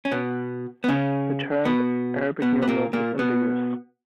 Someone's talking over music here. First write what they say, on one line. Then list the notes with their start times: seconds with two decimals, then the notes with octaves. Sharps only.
The term "Arabic numerals" is ambiguous.
0.05 C#4
0.12 B2 B3
0.84 B3
0.88 C#3 C#4
1.65 B2 B3
2.42 B2 B3
2.62 B3
2.68 A#2 A#3
2.93 A#2 A#3
3.19 B2 B3